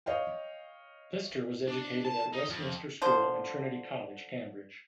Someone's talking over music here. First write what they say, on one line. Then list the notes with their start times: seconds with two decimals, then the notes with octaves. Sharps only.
Lister was educated at Westminster School and Trinity College, Cambridge.
0.06 C#5 D#5 F5 G5
1.67 D4
2.05 A5
2.33 D#4
2.49 F2
3.02 D3 F3 C5